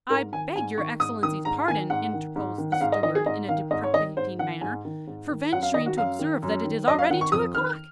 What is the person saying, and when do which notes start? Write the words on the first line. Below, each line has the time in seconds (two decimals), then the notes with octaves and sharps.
"I beg your excellency's pardon," interposed the steward in a deprecating manner, "for venturing to observe that it is already two o'clock."
0.09 G#2 A#4
0.32 D#3 G#5
0.55 G#2 G#5
0.77 D#3 C#6
1.00 G#2 D#6
1.23 D#3 D#6
1.45 G#2 A#5
1.68 D#3 G#5
1.90 G#2 F#5
2.13 D#3
2.36 G#2
2.58 D#3
2.72 F#5
2.81 G#2 F5
2.92 D#5
3.03 D#3 D#5
3.15 G#4
3.26 G#2 D#5
3.49 D#3 F5
3.71 G#2 D#5
3.84 C#5
3.93 D#3 D#5
4.17 G#2 C5
4.38 D#3 F#5
4.61 G#2 G#5
4.85 D#3
5.07 G#2
5.29 D#3
5.52 F#2 F#5
5.63 F5
5.74 D#3 D#5
5.86 F#4
5.97 F#2 F5
6.19 D#3
6.42 F#2
6.65 D#3
6.87 F#2 D#5
6.99 F5
7.10 D#3 F#5
7.21 C#6
7.32 F2 D#6
7.55 D#3 F6